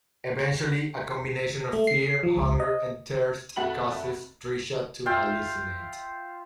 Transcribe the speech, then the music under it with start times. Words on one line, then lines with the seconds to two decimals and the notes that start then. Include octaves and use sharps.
Eventually, a combination of fear, hunger, and thirst causes Trisha to hallucinate.
1.73 A3
1.87 C7
2.23 F3
2.37 C#2
2.60 D#5
3.56 F1 A3 F#4 F#5 B5 F#7
5.06 F4 E5 F5 G5